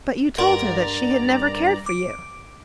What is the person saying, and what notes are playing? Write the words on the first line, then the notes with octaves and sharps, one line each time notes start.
"But you told her that she had never cared for you."
G2 A#4 D5 F#5 A#5 C6
D6 D7